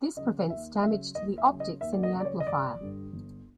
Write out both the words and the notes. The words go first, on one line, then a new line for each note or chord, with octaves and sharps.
This prevents damage to the optics in the amplifier.
C#3 F#3 D#5
D#2 E5
C#3 F#3 E5
D#2 D#5
E5
C#3 F#3
D#5
D#2 E5
D5
D#5
C#3 F#3
D5
C#5
D#5
G1 D5
G2 D3 G3
G1